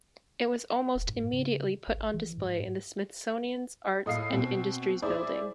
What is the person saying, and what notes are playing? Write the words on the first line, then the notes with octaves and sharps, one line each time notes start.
It was almost immediately put on display in the Smithsonian's Arts and Industries Building.
E1
G#2
C#3
G#1
E3
G#2
A2 D#5 F5 C7
B2 C4
E4 G#4 C5 D5